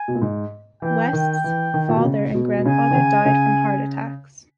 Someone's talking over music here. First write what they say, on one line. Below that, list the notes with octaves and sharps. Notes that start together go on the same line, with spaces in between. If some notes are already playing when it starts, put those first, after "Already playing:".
West's father and grandfather died from heart attacks.
Already playing: G#5
B2
A#2
G#2
E3 G5
D#3
E3
D#3
A#2
B2
C#3
B2
B2
C#3 G#5
D#3
C#3
C#3